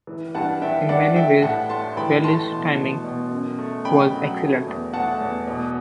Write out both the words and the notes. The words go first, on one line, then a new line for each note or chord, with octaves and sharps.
In many ways, Wallis' timing was excellent.
E3
G2 F#5 A5
G2 E5 G5
G2 D5 F#5
A3 E5 G5
A2 F#5 A5
A3 A5 C6
E3 G5 B5
A3 A5 C6
B2
B2
B2
F#2
A3
F#2 G5 B5
F#3
A3
E2
A3 F#5 A5
E2
B2